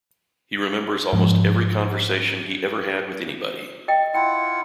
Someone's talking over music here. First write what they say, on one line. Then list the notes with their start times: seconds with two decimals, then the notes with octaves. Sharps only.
He remembers almost every conversation he ever had with anybody.
1.13 G#2 F3 G#3
3.88 D#5 F5 G5
4.14 E4 F4 F#5 G5